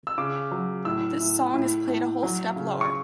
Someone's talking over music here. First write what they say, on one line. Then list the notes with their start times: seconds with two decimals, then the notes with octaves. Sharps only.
This song is played a whole step lower.
0.07 E6
0.18 C#3 D6
0.51 F#3
0.85 A2 E6
1.20 A2
1.54 A2
1.88 A2
2.23 F#3
2.56 C#3
2.81 C#6